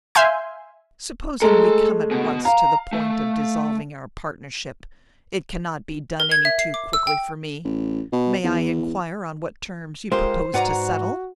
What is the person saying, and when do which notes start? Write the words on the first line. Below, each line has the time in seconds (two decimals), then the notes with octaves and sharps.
"Supposing we come at once to the point of dissolving our partnership; it cannot be done any too quickly for me. May I inquire on what terms you propose to settle?"
0.15 E5 F5 G#5 C6 G6
1.42 G#3 A3 A4 A#5
2.11 B2
2.45 F5 A#5
2.93 A3
6.20 A#4
6.32 G#6
6.45 E5
6.59 C7
6.74 D6
6.93 E6
7.07 G5
7.64 A1
8.13 B2
8.44 E2
10.12 G#3 F4 G4 A#4 C5
10.54 G#2 F#4 B4 D5 F#5 G#5 A#5